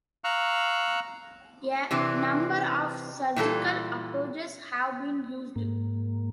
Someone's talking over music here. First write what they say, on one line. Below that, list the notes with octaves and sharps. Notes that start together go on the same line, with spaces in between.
A number of surgical approaches have been used.
F5 A#5 C#6 E6 F#6
C3 E3 C4 D4
A#2 E3 G3 A4
G#2 A#3